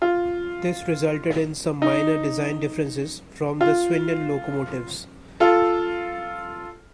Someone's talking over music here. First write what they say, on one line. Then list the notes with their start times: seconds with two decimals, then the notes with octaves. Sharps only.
This resulted in some minor design differences from the Swindon locomotives.
0.02 F4
1.82 D#4
3.61 F4
5.40 F4 A4